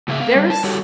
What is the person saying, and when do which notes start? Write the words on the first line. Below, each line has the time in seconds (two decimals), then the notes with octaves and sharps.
there was
0.08 A2 C#3 A#3 C#5 E5
0.20 B3 F5
0.36 G3
0.50 A5
0.64 G3 F#4 A4 C#5